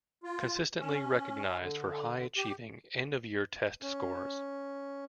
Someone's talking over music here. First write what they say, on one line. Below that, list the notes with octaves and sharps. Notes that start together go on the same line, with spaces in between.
Consistently recognized for high achieving end of year test scores.
F4
C#4
D3
G4
C#4